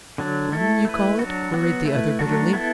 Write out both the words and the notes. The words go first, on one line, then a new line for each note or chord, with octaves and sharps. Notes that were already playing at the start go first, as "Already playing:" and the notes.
"Fun, you call it?" queried the other bitterly.
D3 F#3 D4
A3 E4 A4
A3 E4 B4
F#3 D4 F#4
F#3 B3 F#4
A3 E4 B4
F#3 A3 D4 F#4
B3 E4 A4